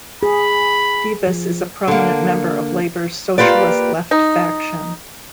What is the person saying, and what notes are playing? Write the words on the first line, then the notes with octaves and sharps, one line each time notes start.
Debus is a prominent member of Labor's Socialist Left faction.
G#4 B5
F3
D3 A#3
A#3 F4 G4 B4 D5
D#4